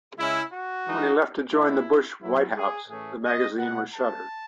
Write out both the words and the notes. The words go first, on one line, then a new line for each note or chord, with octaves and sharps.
When he left to join the Bush White House, the magazine was shuttered.
C#3 G#3 C#4 E4
F#4
E3 G#3 D#4
C#3 G#3 B3 E4
F#3 B3 E4
G#4
A2 E3 A3 C#4 G#4
D#5
B2 G#3 B3 F#5
A5